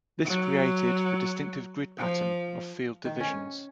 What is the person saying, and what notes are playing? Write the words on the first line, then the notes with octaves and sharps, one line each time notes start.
This created the distinctive grid pattern of field divisions.
F#3
F3
D#3
C#4